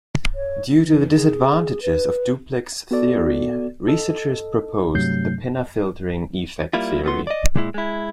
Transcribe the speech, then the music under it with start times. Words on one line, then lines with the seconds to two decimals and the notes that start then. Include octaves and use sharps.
Due to the disadvantages of duplex theory, researchers proposed the pinna filtering effect theory.
0.35 C#5
0.78 E3
1.15 G#4
1.82 B4
2.91 B3 F#4 A4 D5
3.88 A4 D#5
4.93 G2 C3 F#3 A3 G6 C7
6.73 G3 A#3 E4 F4
7.04 A3 B3 C6
7.27 D5 D#5
7.56 A#2 G#3 E4
7.74 G#3 E4